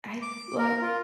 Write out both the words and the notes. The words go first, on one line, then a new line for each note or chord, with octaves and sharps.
I uh,
D6
A#4
F4